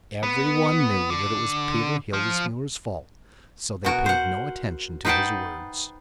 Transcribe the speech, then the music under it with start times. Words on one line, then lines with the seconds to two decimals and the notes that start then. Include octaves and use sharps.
Every one knew that it was Peter Hildesmuller's fault, so they paid no attention to his words.
0.23 B3
1.10 D3
2.13 F3
3.85 B2 F#4 A#4
4.06 C5 F#5
5.05 D#4 B4 C5 F#5 G5 A5